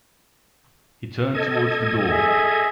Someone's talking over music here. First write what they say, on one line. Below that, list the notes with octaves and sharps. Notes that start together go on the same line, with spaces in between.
He turned towards the door.
A4 D#5 G#6
G#4 E5